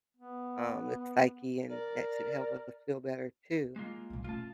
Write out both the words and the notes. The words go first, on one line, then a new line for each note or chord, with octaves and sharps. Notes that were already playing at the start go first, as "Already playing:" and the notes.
um, the psyche, and that should help us feel better too.
B3
A#4 D5
G#3 A#3 F4
C2 B2
A3 C#4 F4 A5